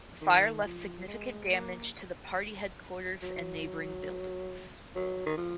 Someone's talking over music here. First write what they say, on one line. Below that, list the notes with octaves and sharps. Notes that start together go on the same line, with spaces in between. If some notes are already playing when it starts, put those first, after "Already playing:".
The fire left significant damage to the party headquarters and neighboring buildings.
D#3
F3
G#3
A#3
F#3
F#3
D#3
F3